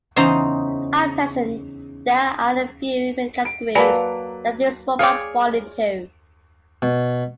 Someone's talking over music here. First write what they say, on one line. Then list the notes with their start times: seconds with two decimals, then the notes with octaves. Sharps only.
At present there are a few main categories that these robots fall into.
0.16 E2 C#3 D#4 C5 D#5 A#5
3.45 D7
3.75 F#3 A#3 B4 D5 G#5 A5 B5 B6
4.99 G#4 C#5 D5 F5 D6 F6
6.82 B2